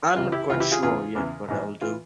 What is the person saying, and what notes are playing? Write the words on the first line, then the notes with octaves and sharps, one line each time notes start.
I'm not quite sure yet what I'll do.
C#2 C3 E3 F4
E4 G4
C#2 C3 E3 F4
E4 G4
F4 G#4
E2 C#3 E3 F4 G#4
E2 C#3 E3
A#1 G#2 E3
E3 F4